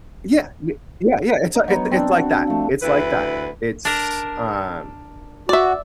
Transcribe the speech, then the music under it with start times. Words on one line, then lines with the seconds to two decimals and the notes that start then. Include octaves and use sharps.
Yeah yeah yeah yeah it's it's it's like that it's like that. It's, um
1.55 D#4
1.68 F#3 B3 C#5
1.91 C4 D4
2.14 F#4
2.47 F3 A3
2.82 D2 E4 B4
3.85 D4 A#4
5.49 F#4 D5 E5